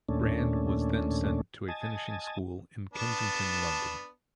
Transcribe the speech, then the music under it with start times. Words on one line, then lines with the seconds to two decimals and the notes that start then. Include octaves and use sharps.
Grand was then sent to a finishing school in Kensington, London.
0.09 D#2 A#2 A3 C#4 D4
1.68 D#5 G#5 A5
2.94 B3 D4 A5